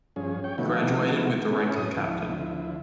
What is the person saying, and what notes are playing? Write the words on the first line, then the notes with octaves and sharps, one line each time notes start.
He graduated with the rank of captain.
G2 F3 C#4 G#4
C#5 G5
D#3 F3 A3 B3 E4 F#4
C#4 E4 G#4 B4
F#2 A2 C#4 D#6
D2 F3 E4